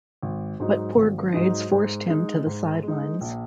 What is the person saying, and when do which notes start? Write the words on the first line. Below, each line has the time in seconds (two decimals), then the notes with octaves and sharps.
But poor grades forced him to the sidelines.
0.23 G#1
0.60 G#2 F#3 D#4
0.96 G#1
1.34 G#2 F#3 D#4
1.71 G#2
2.08 G#3 D#4
2.46 G#2
2.83 G#3 D#4
3.21 A#1